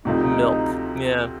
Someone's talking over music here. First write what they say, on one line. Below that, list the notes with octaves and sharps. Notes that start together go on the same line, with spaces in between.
Milk, yeah.
D2 C3 F3 A3 D#4